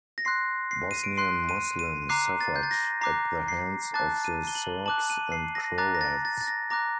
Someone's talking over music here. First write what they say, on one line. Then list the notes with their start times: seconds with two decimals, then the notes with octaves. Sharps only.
Bosnian Muslims suffered at the hands of the Serbs and Croats.
0.18 A#6
0.25 C6 F#6 C7
0.71 C7
0.91 D#7
1.04 D7
1.17 C6 F#6 C7
1.49 D#7
1.79 D#7
2.09 A#5 D6 F#6 C7
2.41 A6
2.56 G6
2.63 A6
2.71 A#6
3.01 A#5 D6 F#6 C7
3.48 C7
3.94 A5 D6 F#6 A6
4.24 D#7
4.47 G7
4.55 F#7
4.86 A5 D6 F#6 F#7
5.10 D#7
5.32 C7
5.55 A#6
5.78 A#5 D6 F#6 A6
5.95 A#6
6.01 A6
6.25 A6
6.41 A6
6.47 A#6
6.70 A#5 D6 F#6 A#6